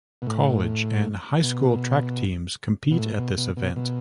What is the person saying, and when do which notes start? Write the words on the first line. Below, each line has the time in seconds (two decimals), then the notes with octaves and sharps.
College and high school track teams compete at this event.
0.22 B2
0.27 A2
1.43 B2
2.91 B2
2.98 A2
3.18 B2
3.37 B2
3.57 B2
3.76 B2